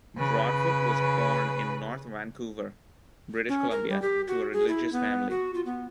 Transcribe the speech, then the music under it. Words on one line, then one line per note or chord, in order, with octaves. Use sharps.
Broadfoot was born in North Vancouver, British Columbia to a religious family.
C#3 B4
C#4
A#4
G3
G4
F#4
G#4
E4
B3
F#4
F4
B3